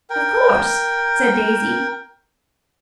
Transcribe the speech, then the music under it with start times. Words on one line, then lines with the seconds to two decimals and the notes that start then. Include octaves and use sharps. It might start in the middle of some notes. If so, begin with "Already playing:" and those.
"Of course!" said Daisy.
0.10 A#4 G5